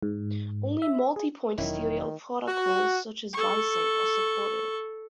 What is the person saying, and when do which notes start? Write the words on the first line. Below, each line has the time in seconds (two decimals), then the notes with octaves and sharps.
Only multipoint serial protocols such as Bisync are supported.
0.03 G#2
0.82 E5
1.16 G#4
1.58 E1 E2 D#3 F#3 C#4 E4
2.48 F#4
3.33 A4 C#6